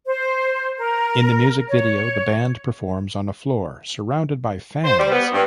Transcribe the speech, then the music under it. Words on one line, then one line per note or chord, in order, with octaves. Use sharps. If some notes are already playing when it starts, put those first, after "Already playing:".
In the music video, the band performs on a floor surrounded by fans.
C5
A#4
C#5
C5
G3
B3
G2